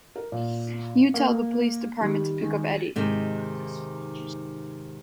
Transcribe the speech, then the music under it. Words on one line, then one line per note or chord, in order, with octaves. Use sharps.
You tell the police department to pick up Eddie.
A#4
A#2
A#3
D#3 G3
D#3 G#3
G#2 C3 D#3